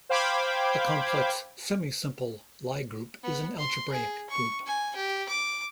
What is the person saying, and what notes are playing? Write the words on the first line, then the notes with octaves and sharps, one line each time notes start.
A complex semisimple Lie group is an algebraic group.
C5 F5 G5 B5 D6 G#6
B3
C6
G#4
C#6
G#5
G4
D6